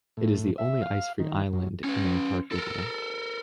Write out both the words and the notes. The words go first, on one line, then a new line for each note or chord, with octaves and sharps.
It is the only ice free island in Antarctica.
A2
E5
F5
D#3
F#2
C#4 B4
A4 A#4